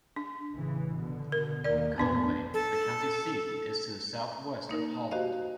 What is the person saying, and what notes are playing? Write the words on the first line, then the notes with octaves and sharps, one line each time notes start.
Conway, the county seat, is to the southwest of Holland.
D4
A1 C#3 E3
B2 D3
A#4
D#2 A#3 A#4 D5
A1 F2 A2 B3 D4 B4
A4
A#3 D#4 A#4
F#4 G4 C5 D#5 F5